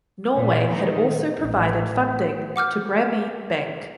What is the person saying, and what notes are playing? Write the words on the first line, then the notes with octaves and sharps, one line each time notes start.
Norway had also provided funding to Grameen Bank.
A#2
D#3
A1
F#5 D6 F6 G6